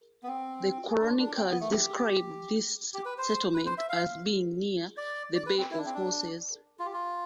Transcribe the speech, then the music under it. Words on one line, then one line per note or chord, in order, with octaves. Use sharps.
The chroniclers described this settlement as being near the "Bay of Horses".
B3
C4
D4
D4
C4
B3
A3
G4
G4
B4
C5
B4
C5
E5
F5
D5
D5
B4
C4
E4
D4
C4
D4
F4
G4
F4